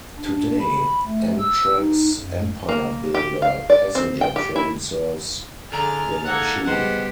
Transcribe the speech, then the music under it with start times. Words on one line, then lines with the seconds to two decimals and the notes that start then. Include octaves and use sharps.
Today, Amtrak's "Empire Builder" passenger train serves Wenatchee.
0.19 D4
0.59 B5
1.06 A3
1.38 E6
1.78 D#4
2.18 F#2
2.69 A#3
3.15 G4
3.42 F5
3.70 D5
3.95 C4
4.21 G5
4.36 G4
4.56 E4
5.72 D3 G#4 A#5 F6 A6
6.26 G#2 A#3 A4 F#5 G#6
6.65 G3 G#3 B3 G4 C5 F#5